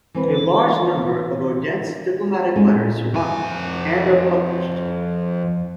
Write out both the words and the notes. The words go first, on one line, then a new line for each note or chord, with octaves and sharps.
A large number of Odet's diplomatic letters survive and are published.
E3 C4 B4
G#3 A3 C#4 D#4
F2 G#5